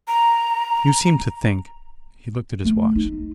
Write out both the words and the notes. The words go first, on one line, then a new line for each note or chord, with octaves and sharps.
"You seem to think--" He looked at his watch.
A#5
A3
D#4